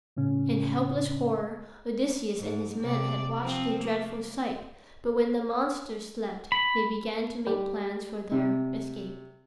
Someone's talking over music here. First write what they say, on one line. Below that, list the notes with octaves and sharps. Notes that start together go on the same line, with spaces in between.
In helpless horror Odysseus and his men had watched the dreadful sight, but when the monster slept they began to make plans for their escape.
A2 C#3 C#4
G#2
C3 D5
F3 C4
A#3
B5
G3
C3